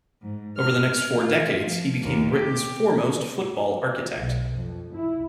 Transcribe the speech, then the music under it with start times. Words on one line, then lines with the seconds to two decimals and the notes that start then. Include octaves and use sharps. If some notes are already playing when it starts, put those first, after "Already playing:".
Over the next four decades he became Britain's foremost football architect.
0.21 G#2
0.57 F6
1.17 F4
1.62 F3
2.00 D#2
2.33 G4
4.14 B1
4.54 F2
4.94 E4